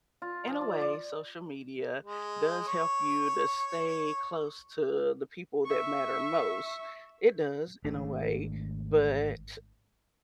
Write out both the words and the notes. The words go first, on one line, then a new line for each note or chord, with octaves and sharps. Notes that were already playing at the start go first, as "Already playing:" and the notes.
in a way, social media does help you to stay close to the people that matter most; it does in a way, but, t
F4
F3
D5
D5
G#3
C#5
E5 C#6
G#1 A3 D4